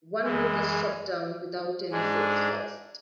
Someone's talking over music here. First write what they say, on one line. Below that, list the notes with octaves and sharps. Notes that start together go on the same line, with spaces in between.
One MiG was shot down, without any Sabres lost.
F#2 E3 G#3
G#2 G#3 D4 G#4